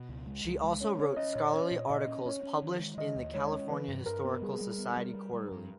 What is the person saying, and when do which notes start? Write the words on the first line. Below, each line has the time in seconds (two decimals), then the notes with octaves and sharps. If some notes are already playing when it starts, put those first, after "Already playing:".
She also wrote scholarly articles published in the "California Historical Society Quarterly".
Already playing: B2
0.09 C#2
0.26 G#3
0.44 C#2
0.63 G#3
0.80 C#4 C#5
0.99 C#4 C#5
1.16 C#4 D#5
1.35 A#2 C#5
1.53 C#4 C#5
1.71 A#2
1.89 A#2 D#5
2.07 C#4
2.26 C#4 C#5
2.43 C#4
2.62 D#3
2.79 G#3
2.97 D#3 D#5
3.16 D#2
3.34 G#3 C#5
3.52 C#4
3.70 E3 B4
3.88 G2
4.06 G2 A#4
4.24 B3
4.42 G3 G#4
4.61 G3
4.78 B3
4.97 G3
5.15 G3
5.33 G3
5.51 G2